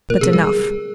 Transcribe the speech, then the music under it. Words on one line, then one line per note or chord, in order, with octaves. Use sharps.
But enough.
A#2 A#4
C3 G#4
G3 G#4